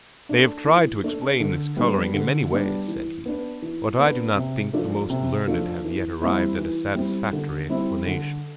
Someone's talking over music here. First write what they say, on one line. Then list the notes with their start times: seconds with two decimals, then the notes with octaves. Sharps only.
"They have tried to explain this coloring in many ways," said he, "but I do not think the most learned have yet arrived at a satisfactory explanation."
0.29 A3 D4
0.66 E3
1.04 A3 D4
1.40 D3
1.77 G3 B3 D4
2.14 D3
2.51 G3 B3 D4
2.88 E3
3.25 B3 D4
3.62 E3
3.99 B3 D4
4.36 C3
4.73 F3 A3 D4
5.10 C3
5.48 F3 A3 D4
5.84 E3
6.22 G3 C4 E4
6.58 E3
6.95 G3 C4 E4
7.33 D3
7.69 G3 C4 E4
8.07 D3